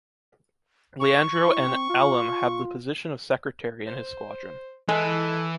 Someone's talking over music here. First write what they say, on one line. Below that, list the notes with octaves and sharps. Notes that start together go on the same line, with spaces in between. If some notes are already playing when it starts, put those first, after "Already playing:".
Leandro N. Alem had the position of secretary in his squadron.
C#6
E4
C4
F4
C5
E3 G#3 A4